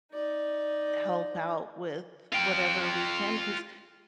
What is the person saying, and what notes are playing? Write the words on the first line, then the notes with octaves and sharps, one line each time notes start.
help out with whatever we can, 'cause
D#4 D5
F4 G5